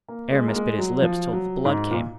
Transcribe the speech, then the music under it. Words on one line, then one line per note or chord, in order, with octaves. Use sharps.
Aramis bit his lips till the blood came.
A#3
G#3
A#3
G#3
F#3
F3
F#3
G#2
A#2